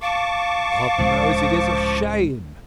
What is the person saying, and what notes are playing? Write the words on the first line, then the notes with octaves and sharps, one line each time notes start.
"God knows it is a shame!"
F5 A5 C#6 D6
C#2 A2 F3